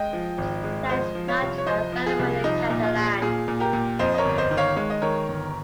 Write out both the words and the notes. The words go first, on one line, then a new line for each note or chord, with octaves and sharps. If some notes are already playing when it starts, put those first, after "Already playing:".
That is not available in Catalan.
Already playing: G#3 D#5 G5
F3
G#1
G#3
F3 C5 D#5
F3
C#5 F5
C2
C#5
F3 C5 D#5
F3
F4 G#4
C2
F3 D#4
A#2
F4
A#1
A#2 F4 G#4
A#2
G4 A#4
A#2
F2 C5 D#5
D#5
A#4 C#5
G1
C5 D#5
D#3
C#5 F5
G#3 C#5
D#5
D#3 A#4 C#5
G1